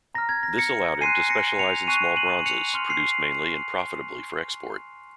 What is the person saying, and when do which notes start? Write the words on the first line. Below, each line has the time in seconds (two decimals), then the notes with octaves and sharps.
This allowed him to specialize in small bronzes, produced mainly and profitably for export.
0.15 A#5 F6 A#6
0.29 G#6
0.43 A#6
0.58 A#6 C#7
1.01 G#5 C6 F#6 C7 D#7
1.30 A#6 C#7
1.59 C#7 F7
1.87 G#5 C#6 F#6 C7 D#7
2.16 D#7 F#7
2.46 C#7 F7
2.74 C6 F6
2.90 C7